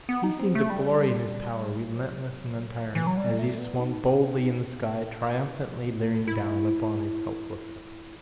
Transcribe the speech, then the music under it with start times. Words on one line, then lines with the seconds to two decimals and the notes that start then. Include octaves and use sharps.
He seemed to glory in his power, relentless and untiring, as he swung boldly in the sky, triumphantly leering down upon his helpless victims.
0.09 B3
0.24 D#4
0.39 C4
0.55 A3
0.70 G3
1.94 F#3
2.84 D#3
2.95 E3
3.07 F#3
3.17 G3
3.39 A3
3.58 B3
3.80 D#4
5.04 E4
6.27 E4